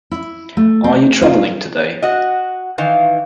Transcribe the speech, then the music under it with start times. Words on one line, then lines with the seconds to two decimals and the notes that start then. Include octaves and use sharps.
Are you travelling today?
0.11 E4
0.57 A3
0.84 C4
1.22 F4
2.02 F#4 D#5
2.78 D#3 E3 F5